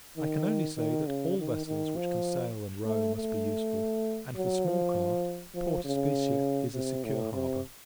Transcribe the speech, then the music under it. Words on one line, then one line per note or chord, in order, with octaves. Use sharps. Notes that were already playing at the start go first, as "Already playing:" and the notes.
I can only say, that all vessels which can sail and row must be useful; and, for small craft, Port Especia is a secure harbour.
D#3
D#3
C#3
D#3
D#3
F3
A3
A3
F#3
F3
F3
C#3
C3
A2
C3